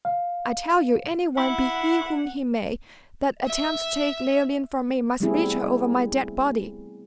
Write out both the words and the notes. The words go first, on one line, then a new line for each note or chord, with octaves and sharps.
"I tell you any one, be he whom he may, that attempts to take Leoline from me, must reach her over my dead body!"
F5
E4 F#5
E5
G3 A3 B3 C4 E4 G#4